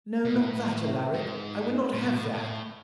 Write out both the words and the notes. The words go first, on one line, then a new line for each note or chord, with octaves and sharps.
'No, not that, Alaric; I would not have that.
B2
A2
G#2
A2
B2
A2
A2